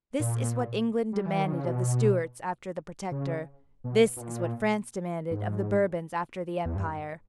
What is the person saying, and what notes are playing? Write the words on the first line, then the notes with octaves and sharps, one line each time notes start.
This is what England demanded of the Stuarts after the Protector; this is what France demanded of the Bourbons after the Empire.
A#2
G3
E3
D#3
C#3
B2
C#3
B2
B2
A#2
G#2
E2
G2